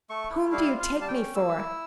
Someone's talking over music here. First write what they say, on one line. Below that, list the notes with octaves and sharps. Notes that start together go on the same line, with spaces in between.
Whom do you take me for?
A3 C#6
E4
G3 F5
F4
F5
G3
A5
G5
C#4
A#3 E6
E4